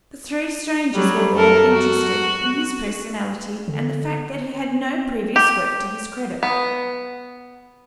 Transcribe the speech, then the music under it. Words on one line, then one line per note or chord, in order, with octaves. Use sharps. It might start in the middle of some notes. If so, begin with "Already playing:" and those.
The three strangers were all interested in his personality and the fact that he had no previous work to his credit.
F#3 G3
F#2 A4 A#4
F#4
D3
G4
B3